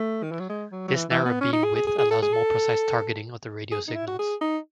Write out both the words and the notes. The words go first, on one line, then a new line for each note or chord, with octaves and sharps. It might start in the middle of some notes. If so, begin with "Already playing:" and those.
This narrow beam width allows more precise targeting of the radio signals.
Already playing: A3
D#3
E3
F#3
G#3
F#3
F#3
E3
E3
B3
C#4
D#4
G#4
G#4
G#4
G#4
A4
G#4
A4
G#4
D#4
E4
F#4
G#4
D#4